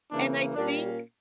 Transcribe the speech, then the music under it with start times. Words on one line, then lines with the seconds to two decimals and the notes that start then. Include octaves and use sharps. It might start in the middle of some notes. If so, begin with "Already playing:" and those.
and I think
0.10 C#3 E3 A#3 D4
0.55 A#2 G3 A#3 C#4 D4